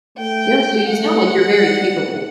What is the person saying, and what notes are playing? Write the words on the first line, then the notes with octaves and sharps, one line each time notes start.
Yeah, so you sound like you're very capable.
A3 G5
A3 F#5
G3